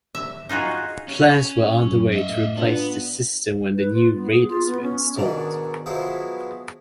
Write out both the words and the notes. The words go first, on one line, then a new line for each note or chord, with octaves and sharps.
Plans were underway to replace this system when the new radars were installed.
E5
D#4 F4 F#4 G#4
C#4
F#2
D#5 E5
A2
B3 D4 F4
B4
F4
B3
G#4
F4
B3
C#4
G#2 B2 D#3 C#4 D4
F3 F#3 G#3 B3 E4 C5